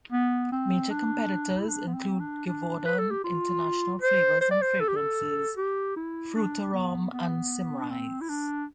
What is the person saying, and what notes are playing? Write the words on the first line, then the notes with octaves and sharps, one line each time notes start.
Major competitors include Givaudan, International Flavors and Fragrances, Frutarom and Symrise.
B3
C4
D4
E4
D4
B3
C4
D4
D4
B4
A4
G4
F4
C5
C5
D5
C5
A4
G4
A4
G4
E4
D4
B3
B3
D4
C4
E4
D4